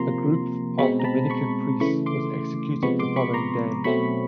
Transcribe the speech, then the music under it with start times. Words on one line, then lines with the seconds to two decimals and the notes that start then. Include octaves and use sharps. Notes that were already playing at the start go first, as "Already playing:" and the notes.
A group of Dominican Priests was executed the following day.
Already playing: C3 F3 A#3 A#5 C6
0.79 B2 G#3 C4 B5 C#6
1.00 A#5
1.04 A5 B5
1.30 B5 C#6
1.80 C#3 E3 A3 B5 C#6
2.06 C6 D6
2.83 C3 F3 G#3 B3 B5 C#6
2.99 C6 D6
3.16 B5 C#6
3.33 A#5 C6
3.84 B2 F#3 A3 C4 B5 C#6